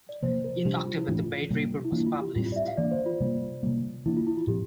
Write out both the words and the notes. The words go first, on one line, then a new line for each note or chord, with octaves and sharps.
In October, the Baird report was published.
D5
C3 F3 A#3 C5
A#4
C3 G3 D4 G4
F4
F4
E4
A2 E3 A3 D4 F4
F4
F4
C3 G3 A#3
E4
E3 A#3 D4 F4
E4
F4
G4
A2 G3 C4 F4
F4
D5
E5
F5
E3 A#3 D4 D5
C5
F4
C3 G3 A#3
C3 G3 A#3
E3 A#3 D4 E4
F4
E4
F4
A2 F3 C4 G4